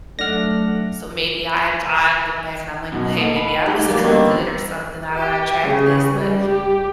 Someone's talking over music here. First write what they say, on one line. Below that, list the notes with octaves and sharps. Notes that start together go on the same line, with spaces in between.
so maybe I've to I look back and I'm like, "Well, hey, maybe I wasn't good or something. How did I attract this?" But
F#3 A3 D4 F#5 F6 A#6
F#2 B2 D#4
A#3 A4 D#5 F#5
B5
D#4 G4
E3 F#3 G3 A#3
F#2 D3 D#3 A#3 B3
G4
C#3
G3
G4